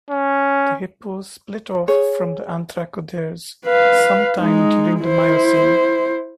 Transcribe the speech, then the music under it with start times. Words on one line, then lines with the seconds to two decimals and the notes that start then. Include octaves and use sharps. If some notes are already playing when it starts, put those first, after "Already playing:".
The hippos split off from the anthracotheres some time during the Miocene.
0.10 C#4
1.88 G#4 C#5
3.67 B4 F5
4.39 G#3 D#4
5.00 E4 C5